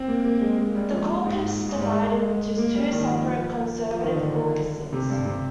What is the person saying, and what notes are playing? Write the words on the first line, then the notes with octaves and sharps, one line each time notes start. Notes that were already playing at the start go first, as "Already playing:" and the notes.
The caucus divided into two separate Conservative caucuses.
Already playing: C4
A#3
A#3
G#3
G#3
G3
F3
G#2
G#2
G3
G#3
A#3
G3
D#3
F3
F3
F3
D#3
D3
C3
G2
C3